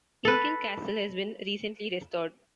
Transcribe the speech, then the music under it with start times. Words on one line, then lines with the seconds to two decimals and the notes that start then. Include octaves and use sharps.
Kinkell Castle has been recently restored.
0.25 A4 B4